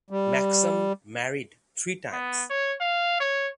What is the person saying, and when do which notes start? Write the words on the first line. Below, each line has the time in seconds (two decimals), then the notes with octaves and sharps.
Maxam married three times.
0.10 G3
2.13 B3
2.50 C#5
2.81 F5
3.20 C#5